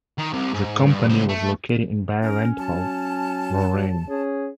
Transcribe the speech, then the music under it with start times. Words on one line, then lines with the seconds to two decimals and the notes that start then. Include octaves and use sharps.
The company was located in Baerenthal, Lorraine.
0.18 D#3
0.33 C2 C3
0.54 G#2
0.86 G2
1.09 C#2 C5
1.29 A3
2.22 C#4 A#4
2.58 F#3 A5
4.08 C#4 G#4